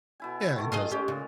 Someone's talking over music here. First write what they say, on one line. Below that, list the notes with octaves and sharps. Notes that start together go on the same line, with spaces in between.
Yeah, it does.
B2 E4 G#5
D#3 A3
F4 G#4 D#5
G#3 C#4 G4
A#2 C#3